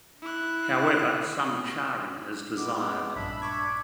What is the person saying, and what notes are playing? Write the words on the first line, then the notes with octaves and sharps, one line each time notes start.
However, some charring is desired.
E4 F#6
G#3 B3 D6
A#1 G2 D4 E5 B5
C#6 D6 G#6